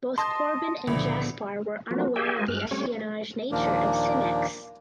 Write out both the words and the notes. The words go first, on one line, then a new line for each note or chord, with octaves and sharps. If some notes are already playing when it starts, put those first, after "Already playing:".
Both Corbin and Jaspar were unaware of the espionage nature of Simex.
D#5 A5 C6
C#2 A#2 D3 F3 B3 E4
F3 F#3 A3 A#3 C4 F#4
G4 G#4 D5 E5 G5 G#5
F#4 A#4 C5 D#5 G#5
G2 G#3 F6 F#6
G3 A3 C4 C#4 C#5
D#2 A#2 F3 A#3 D4